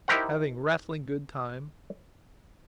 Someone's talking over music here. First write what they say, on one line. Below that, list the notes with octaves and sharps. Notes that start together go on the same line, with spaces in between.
Having rattling good time.
D#4 E4 G4 A#4 C5 F#5